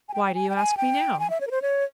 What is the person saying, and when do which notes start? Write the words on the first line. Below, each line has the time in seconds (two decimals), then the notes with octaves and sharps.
"Why do you ask me now?"
0.09 G#5
0.14 G5
0.24 G5
0.35 G#5
0.49 G5
0.56 G#5
0.77 G5
1.19 G#5
1.30 E5
1.41 C#5
1.47 A#4
1.51 C5
1.62 C#5